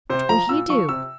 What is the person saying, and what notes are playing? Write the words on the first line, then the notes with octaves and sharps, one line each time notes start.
"What will he do?"
C3 C5
F3 A#5
A#2 E6
F3 C#6
C3 E6